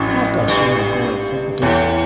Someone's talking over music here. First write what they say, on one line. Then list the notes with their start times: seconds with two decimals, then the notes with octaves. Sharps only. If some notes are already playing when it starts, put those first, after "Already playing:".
"God bless you, my boy!" said the Duke.
Already playing: A1 F2 A2
0.48 G2
1.62 E2 A2